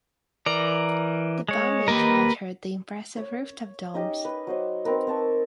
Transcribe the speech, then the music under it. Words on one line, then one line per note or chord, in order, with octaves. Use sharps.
The bombing shattered the impressive rooftop domes.
E3 A#4 D5 A#5
G#3 C#5
A#3 G4 A#4 B4 D#5
C#5
C#4 D#4 G4 D#5
B4
F#3 C5 D#5
C4 D#4 A#4 B4
C4 A#4 A5 C#6